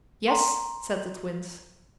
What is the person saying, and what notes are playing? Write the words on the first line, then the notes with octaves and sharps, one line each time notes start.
"Yes," said the Twins.
A#5 C6